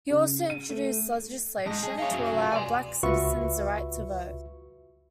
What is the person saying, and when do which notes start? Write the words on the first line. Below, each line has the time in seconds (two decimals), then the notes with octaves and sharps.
He also introduced legislation to allow black citizens the right to vote.
0.10 C#3
0.50 D#7
0.70 A3
1.66 F2 G#2 D#5 G#5 A5
1.83 G#4 A5
1.98 D#4 G#4 C#5 E5 F5 G5
2.11 F#2 F#3
2.37 F4 A#4 A#5
2.52 G4 B4 D5 G5 G#5 C6
3.03 C#2 F4 F#4 B4 E5 C#6